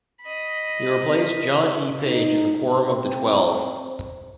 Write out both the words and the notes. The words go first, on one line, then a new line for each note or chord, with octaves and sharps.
He replaced John E. Page in the Quorum of the Twelve.
D#5 B5
D#4
C4